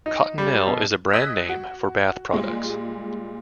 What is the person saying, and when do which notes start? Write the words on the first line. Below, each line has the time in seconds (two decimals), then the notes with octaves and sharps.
Cottonelle is a brand name for bath products.
0.06 D#4
0.38 G3
0.67 B2
1.13 D#5 D#6 E6 F#6 G#6 B6
1.49 F#4
2.33 A#2 G3 G#3